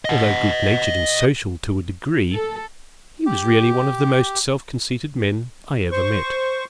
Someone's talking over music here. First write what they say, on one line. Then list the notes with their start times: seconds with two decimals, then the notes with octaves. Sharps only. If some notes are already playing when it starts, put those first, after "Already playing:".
Although good-natured and social to a degree, he was really one of the most self-conceited men I ever met.
0.05 D#5 F#5
2.34 A4
3.26 G4
5.92 C5 C#6